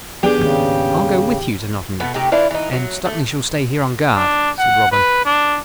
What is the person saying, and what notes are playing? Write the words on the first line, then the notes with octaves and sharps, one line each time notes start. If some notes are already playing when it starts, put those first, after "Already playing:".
"I'll go with you to Nottingham--and Stuteley shall stay here, on guard," said Robin.
E3 B3 D4 G4 G#4
D#2 G#2 C#3
B2 A3 B3
C3 A3 D#4 G4
E3 D4 E4 F4
E3 D#4
F#3
A3
D4
F#5
B4
D4